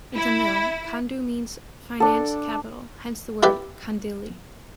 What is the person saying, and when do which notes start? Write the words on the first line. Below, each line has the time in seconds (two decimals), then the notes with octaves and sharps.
In Tamil; "Kandu" means "finance capital," hence the word Kandhili.
0.16 E4
2.00 D4 A4
3.43 E4 G4 B4 D5